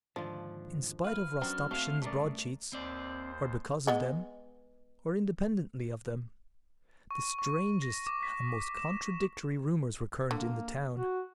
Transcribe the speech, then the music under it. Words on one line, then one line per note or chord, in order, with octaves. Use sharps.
In spite of Rostopchin's broadsheets, or because of them or independently of them, the strangest and most contradictory rumors were current in the town.
D#2 G#2 D3 F3 D4 F4
E4 B4 F5 F6
F#3 B3 C#4 D4 C5 G5 A#5
A3 C4 F#4 C5 F5
G2 C#3 G#3 A3 A#4 D5
D#2 C4 C5 D5
G#3 B3 D#5
C#6
C#6
A#6
D6
B6
E7
D3 A#3
F#4